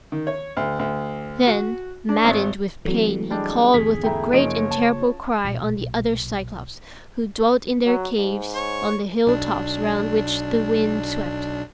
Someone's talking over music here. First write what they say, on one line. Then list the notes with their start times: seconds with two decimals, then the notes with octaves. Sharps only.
Then, maddened with pain, he called with a great and terrible cry on the other Cyclopes, who dwelt in their caves on the hill-tops round which the wind swept.
0.12 D#3
0.27 C#5
0.57 D2
0.79 D2
1.47 F#4
2.09 D4
2.24 G#1
2.85 C3 E3 F#3 A3
3.30 G3 G#3 D4
3.74 E2 G#2 D3 G#4 B6
4.03 A3 E4 G5 A#5
4.33 F#1 C#3 F3 A#3 C#4 D#4 C#5 D7
4.71 A5
5.44 B1 A#2
7.86 F#3
8.17 G#2
8.55 C#5
9.26 B1 D4